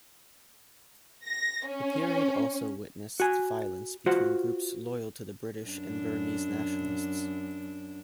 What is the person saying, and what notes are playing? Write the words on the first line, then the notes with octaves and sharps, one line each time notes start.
The period also witnessed violence between groups loyal to the British and Burmese nationalists.
A#6
C#4
F#4 G#5
F4 F#4 C5 F#5
F#2 D4